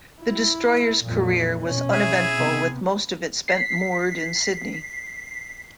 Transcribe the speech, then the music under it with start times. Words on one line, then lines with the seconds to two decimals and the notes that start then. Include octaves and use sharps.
The destroyer's career was uneventful, with most of it spent moored in Sydney.
0.22 E4
1.03 F2 A#2
1.62 B2 C#4
1.92 E4 G#4 E5
2.34 C3 B3
3.48 B6 C7